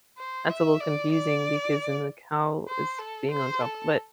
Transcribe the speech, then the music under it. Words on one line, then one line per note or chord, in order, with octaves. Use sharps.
that's a little confusing because then the cow is being on top, but
C5
E5
D5
D5
C5
A4
C5
A4